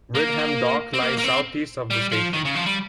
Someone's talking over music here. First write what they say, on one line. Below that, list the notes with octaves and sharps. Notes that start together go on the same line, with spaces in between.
Ridham Dock lies south-east of the station.
A#3
C4
A#3
A#3
C4
G3
F3
D#3
C#3
F3
G3